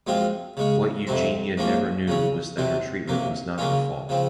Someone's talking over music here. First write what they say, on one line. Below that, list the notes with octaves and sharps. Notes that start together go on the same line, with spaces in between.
What Eugenia never knew was that her treatment was not her fault.
F#2 F3 G#3 C4 F4
C#3 G#3 C#4
F2 C3 F#3 C4
G#2 F3 A#3 C#4
C#3 F#3 C#4
C3 F#3 C4
C3 F#3 A#3
C#3 F#3 A#3 C#4 F4
C#3 F3 C4